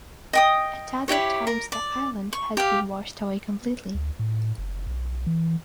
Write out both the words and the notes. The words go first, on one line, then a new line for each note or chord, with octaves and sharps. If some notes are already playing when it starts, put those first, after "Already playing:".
At other times the island has been washed away completely.
D#5 G5 D#6
E4 F4 G4 C#5
A#4
D5
C#6
G4 F5
D2
A2
F#1
B1
E3